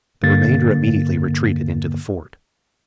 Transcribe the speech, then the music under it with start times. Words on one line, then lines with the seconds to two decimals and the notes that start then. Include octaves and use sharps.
The remainder immediately retreated into the fort.
0.23 G2 D3 A#3 A6